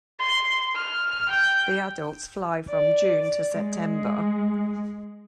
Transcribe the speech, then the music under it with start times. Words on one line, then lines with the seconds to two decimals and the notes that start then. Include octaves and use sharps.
The adults fly from June to September.
0.19 C6
0.75 F6
1.28 G5
2.69 D5
3.56 G#3